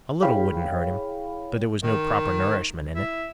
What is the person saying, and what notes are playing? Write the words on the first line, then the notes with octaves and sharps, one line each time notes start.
A little wouldn't hurt him, though there was no proper nourishment in it.
E4 G#4 C#5 F5 G5 B5
D#3
E4